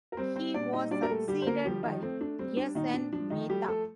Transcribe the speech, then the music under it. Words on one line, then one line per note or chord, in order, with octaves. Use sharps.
He was succeeded by S. N. Mehta.
A#4
G3 C4 C5
C4 C5
A#2 D4 D5
D#4 D#5
G3 D4 D5
A#4
A3 A4
D3 G3 G4
C5
A#3 A#4
F3 G3 G4
D#3 D#4
A3 C4
D4
G3 C4
D4
A#2 D#3 D#4
D4
F3 D4
D#3 D#4
G3 A3 G4
A3 A4